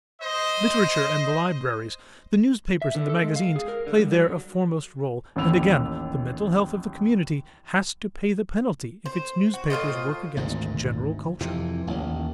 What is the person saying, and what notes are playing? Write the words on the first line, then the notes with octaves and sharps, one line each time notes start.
Literature and the libraries, the newspapers and the magazines play there a foremost role, and again the mental health of the community has to pay the penalty if its newspapers work against general culture.
C5 D#5
E5
D3
A4
G#3
F5
G#4
A#4
D3
G3
F#3
A1 D#2 B5 E6 F7
C5
F#4
A2 F4 C5 D#5
G#1 D2 G#2
F2 C3 E3
A1 D#2